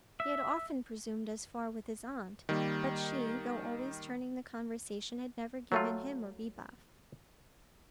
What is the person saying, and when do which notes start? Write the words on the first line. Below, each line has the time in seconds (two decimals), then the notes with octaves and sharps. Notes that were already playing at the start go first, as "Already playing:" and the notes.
He had often presumed as far with his aunt; but she, though always turning the conversation, had never given him a rebuff.
0.20 E5
2.49 D#3 G3 A#3
5.72 F#3 A3 F4